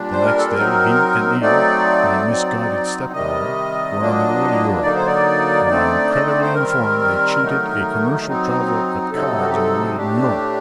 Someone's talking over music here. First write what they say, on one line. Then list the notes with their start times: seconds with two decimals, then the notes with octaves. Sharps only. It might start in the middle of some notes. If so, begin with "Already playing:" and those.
The next day he and Eve, my misguided stepdaughter, were on their way to Europe; and I am credibly informed they cheated a commercial traveler at cards on the way to New York.
Already playing: A#2 G3 D4
0.12 C5
0.25 A#4
0.38 A4
0.50 A#4
0.56 F#3 C4 D#4
1.41 F#3 A3 C4 D#4 D5
2.27 F#3 C4 D#4
3.12 C3 D#3 G3 D#5
3.98 A#2 F#3 A#3 D4
4.83 D3 F#3 A#3 D#4 D5
4.95 C5
5.07 D5
5.69 D3 A3 C4 D#4
6.15 D#5
6.27 D5
6.42 C5
6.55 D#3 G3 C4 A#4
7.40 D#3 F#3 A3 D#4
8.25 F#3 C4 D#4
9.12 C3 F#3 C4 D#4 A4
9.40 F#4
9.47 G4
9.54 A4
9.96 A2 A3 D4 G4